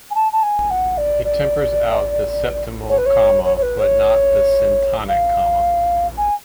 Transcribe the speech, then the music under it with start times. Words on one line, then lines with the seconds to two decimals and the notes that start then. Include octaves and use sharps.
It tempers out the septimal comma but not the syntonic comma.
0.10 G#5
0.15 A5
0.32 A5
0.43 G#5
0.70 F#5
0.98 D5
1.25 D5
2.89 C#5
2.98 B4
3.06 C#5
3.44 C#5
3.57 C#5
3.62 B4
3.80 C#5
5.08 F5
6.17 G#5